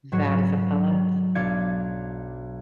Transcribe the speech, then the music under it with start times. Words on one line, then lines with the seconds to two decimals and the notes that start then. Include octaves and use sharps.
That is a plus.
0.12 G#2 F#3 F#4 C#5
1.35 B1 D4 D5 F5 G#6 C#7